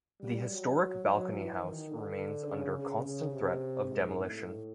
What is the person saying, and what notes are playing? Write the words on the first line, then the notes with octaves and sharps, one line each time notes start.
The historic Balcony House remains under constant threat of demolition.
G3
F#3
F#3
F#3
E3
D#3
D3
C#3
C#3
C#3
C3
G#2
A2